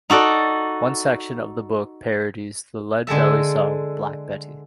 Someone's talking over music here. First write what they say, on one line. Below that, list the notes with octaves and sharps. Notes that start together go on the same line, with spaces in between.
One section of the book parodies the Lead Belly song "Black Betty".
D#4 F#4 A4 D5
D3 G#3 A4 E5